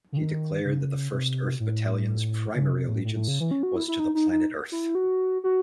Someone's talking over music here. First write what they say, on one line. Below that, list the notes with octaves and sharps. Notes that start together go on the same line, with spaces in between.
He declared that the First Earth Battalion's primary allegiance was to the planet earth.
C#3
D#3
C#3
C3
A2
C#3
C3
A2
A2
A2
C#3
E3
C#4
F#4
E4
E4
D#4
D#4
D#4
E4
F#4
F#4